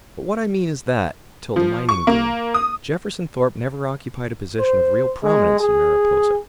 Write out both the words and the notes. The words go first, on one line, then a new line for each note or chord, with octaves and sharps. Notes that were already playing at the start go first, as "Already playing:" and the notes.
But what I mean is that, till the mining boom, Jefferson Thorpe never occupied a position of real prominence in Mariposa.
F3
C#6
A#3
D#6
C5
G#3
G#4